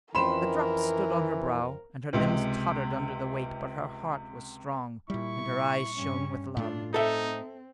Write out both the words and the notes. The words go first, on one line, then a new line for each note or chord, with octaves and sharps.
The drops stood on her brow, and her limbs tottered under the weight, but her heart was strong, and her eyes shone with love.
F2 E3 C#4 A#4 G5 B5 C6 E7
C#2 C3 G#3
A#2 G3 E4 C#6
G2 C#4
A2 A3 D4 F4
C4 D#4 A4 E5